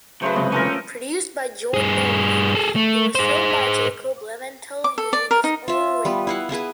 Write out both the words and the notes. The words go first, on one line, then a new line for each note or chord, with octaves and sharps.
Produced by John Norling, it was filmed by Jacob Leventhal using his own rig.
C#3 F#3 A3 B4 C5
C#2 F#2 C3 D#5
E3 A3 C#4 F4 A#4
G2 G#4
G#4 A4
A3
G#4 C5
D6
A4
D5
A#4
D#4
F4 E5
G3 B3 B4
E4 F5 F#5
B3 E4 G#4 B4